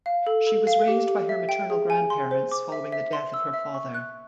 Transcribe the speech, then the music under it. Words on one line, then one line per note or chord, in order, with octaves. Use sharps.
She was raised by her maternal grandparents following the death of her father.
F5
A4
A4
F5
G4
G4
E5
G5
G#4
G#5
C6
C5
D6
E5
E5
C6
E6
E5
C#6
F#6